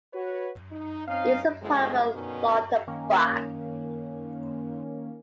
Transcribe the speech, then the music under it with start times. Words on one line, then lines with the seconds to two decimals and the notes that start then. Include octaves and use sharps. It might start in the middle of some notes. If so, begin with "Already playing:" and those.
It is a part of Lauterbach.
0.14 F#4 B4 C#5
0.72 D#4
1.08 C4 C#4 D#4 F5
1.62 G1 A2 F3 G#3
2.15 B2 D3 D#3 B3 C#4 D#4
2.87 D#3 A#3 C#4